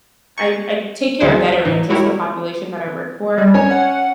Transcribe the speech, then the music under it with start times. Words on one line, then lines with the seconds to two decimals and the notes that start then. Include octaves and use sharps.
I I take care of veterans, that's the population that I work for,
0.38 C#6
1.20 D2 F#3 E4 G#4 C5
1.65 A2 E3 D#4
1.89 G#3 E4 F#4 G4 A#4 C#5
3.38 G3
3.54 C#4 C#5 G#5
3.71 F#5